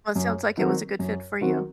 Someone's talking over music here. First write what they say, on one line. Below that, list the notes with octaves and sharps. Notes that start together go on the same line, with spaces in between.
Well, it sounds like it was a good fit for you.
F#2
D#3 F#3 C4 F#4
F#2
D#3 F#3 C4 F#4